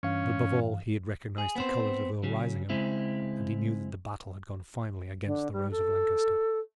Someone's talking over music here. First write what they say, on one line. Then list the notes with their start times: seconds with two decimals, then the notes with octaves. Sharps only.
But above all, he had recognised the colours of Earl Risingham, and he knew that the battle had gone finally against the rose of Lancaster.
0.03 G2 E3 C#4 F5
1.38 G#4
1.56 B3 C4 C5
2.23 C#3 F#3
2.70 C#3 G#3 C4 E4
5.26 D3
5.52 G3
5.71 A4